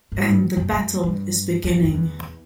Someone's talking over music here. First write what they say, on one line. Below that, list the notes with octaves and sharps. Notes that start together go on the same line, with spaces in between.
And the battle is beginning.
G2
A2
G2
F#2
F#2
G2
E2
F#2
F#2
E2